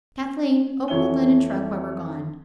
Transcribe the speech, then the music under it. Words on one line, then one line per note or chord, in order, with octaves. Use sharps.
Kathleen, open the linen trunk while we're gone.
F2 E3 C#5 E5 G7